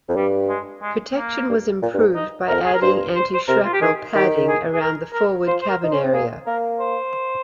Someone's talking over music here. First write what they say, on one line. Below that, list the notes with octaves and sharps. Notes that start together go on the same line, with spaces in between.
Protection was improved by adding anti-shrapnel padding around the forward cabin area.
F2
G2 G3
G#3
G#3
A#3
G2
A#2
G2
G#2
D#4
F2 A#4
G#4
A#4
G2 C5
C5
C5
C3 A#4
F4
G4
D#3 G#4
D#3 G4
G#4
G#4
A#4
A#4
F3 C5
C5
A#4
D#4
C#4 C5
C4
A#3 G#4
A#3 A#4
C5